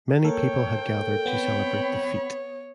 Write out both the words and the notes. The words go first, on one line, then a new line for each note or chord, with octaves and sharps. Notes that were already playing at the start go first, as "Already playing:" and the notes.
Many people had gathered to celebrate the feat.
A#3 A4 A#4 C#5 G5
B3 C4 C#5 B5